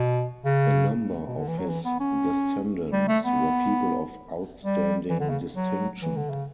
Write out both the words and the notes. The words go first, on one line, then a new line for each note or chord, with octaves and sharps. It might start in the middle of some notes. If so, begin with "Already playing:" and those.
A number of his descendants were people of outstanding distinction.
Already playing: B2
C#3
B2
D3
E3
F#3
E3
B3
C#4
G3
A3
B3
G3
E3
D3
C#3
F#3
E3
D3
C#3